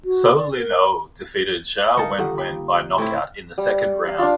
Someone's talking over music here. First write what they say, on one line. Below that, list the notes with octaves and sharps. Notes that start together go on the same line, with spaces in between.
Soe Lin Oo defeated Zhao Wen Wen by knockout in the second round.
F#4
D5
A#4
C#2 D#4 A#4 F5 A5 C#7
G2 D3 D#3 F4 G4 A4 F#5
A#3 G5 B5
A2 C4 E4
G3
F5
D4 F4